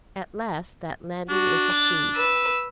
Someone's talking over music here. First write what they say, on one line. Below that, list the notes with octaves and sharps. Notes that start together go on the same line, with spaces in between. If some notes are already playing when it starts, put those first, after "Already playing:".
At last that landing is achieved.
D4 F#4
A6
B4 E6